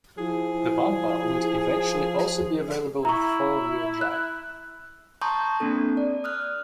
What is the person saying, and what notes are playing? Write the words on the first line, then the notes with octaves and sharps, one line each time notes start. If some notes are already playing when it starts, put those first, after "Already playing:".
The Pampa would eventually also be available with four-wheel drive.
F3 E4 G#4
E4 A#5 C#6
F#6
A5 A#5 C6 C#6 D#6 G6
A#3 C4 D4 A4
D5
D#6 F6 F#6